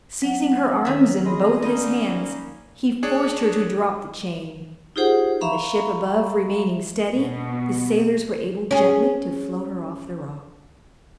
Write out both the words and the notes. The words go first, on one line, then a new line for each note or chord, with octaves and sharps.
Seizing her arms in both his hands, he forced her to drop the chain, and the ship above remaining steady, the sailors were able gently to float her off the rock.
F#3 C4 F#5
D#3 C#5 E5
F#4 G#4 D#5 B5 C6
A#3 C#4 D#4 D5 D#5 B5
D4 G#4 C#5
D#4 F4 G4 G#4 C5 F#5
E5 F5 A#5 B5 C#6
B2
C#4 G#4